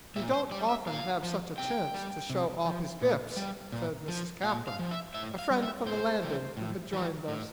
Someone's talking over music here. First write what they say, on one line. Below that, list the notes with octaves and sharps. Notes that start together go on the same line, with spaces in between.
"He don't often have such a chance to show off his gifts," said Mrs. Caplin, a friend from the Landing who had joined us.
A#2 E5
C5
G3 D5
E5
A#2 F5
F3
C3 G5
G3
C3
F3
A#2
G3
A#2
F3
A#2 F5
F5
F3
E5
A2 E5
F5
G3
E5
A2 C5
E3 G3
A2
E3 G3
A2